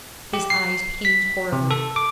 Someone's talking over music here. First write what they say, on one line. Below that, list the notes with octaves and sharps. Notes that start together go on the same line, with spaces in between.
His eyes pained horribly.
G4
C7
B6
C3
A4
D6